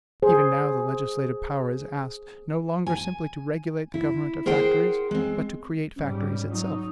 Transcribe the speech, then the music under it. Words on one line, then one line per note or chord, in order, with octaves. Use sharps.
Even now the legislative power is asked, no longer simply to regulate the government of factories, but to create factories itself.
G#4 C5
G#5
E4
G#4 A#4 C5 F#5 G5
G#3 C4
G#2 G3 C#4
F#3 D#4